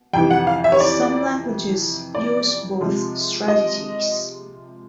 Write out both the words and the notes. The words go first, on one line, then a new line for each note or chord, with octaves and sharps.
Some languages use both strategies.
F2 C3 E3 G5
F#5
F5
E5
C#5
D5
D5
C3 F3 G#3
D#5